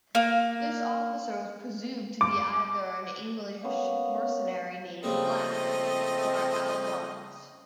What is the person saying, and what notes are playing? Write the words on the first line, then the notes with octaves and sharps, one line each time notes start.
This officer was presumed to be either an English mercenary named Black, or Almonte.
A#3
D6
A#3 B3 C#4 F5
C#3 F3 G3 A3 A#3 C4 D#5